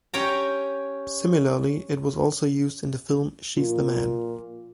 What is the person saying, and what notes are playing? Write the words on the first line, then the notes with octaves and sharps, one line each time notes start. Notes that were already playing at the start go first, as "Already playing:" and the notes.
Similarly, it was also used in the film "She's the Man".
C#4 G4 C#5 G5 A#5
A#2 F4